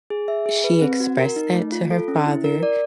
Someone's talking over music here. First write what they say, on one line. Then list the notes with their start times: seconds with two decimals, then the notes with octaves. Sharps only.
she expressed that to her father,
0.10 G#4
0.28 E5
0.46 G#4
0.64 B4
0.81 C4
1.00 F#4
1.19 A#4
1.36 D#4
1.54 A3
1.72 F4
1.91 A4
2.08 C#4
2.27 E4
2.44 A#4
2.63 D5